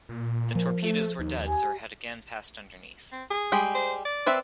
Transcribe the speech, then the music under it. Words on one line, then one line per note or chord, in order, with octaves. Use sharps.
The torpedoes were duds or had again passed underneath.
A#2
F3 A#4
A3 A4
D#2 D#4
G4 G#5
C4
G#4
G3 G#3 G4
C5
D5
C4 B4 E5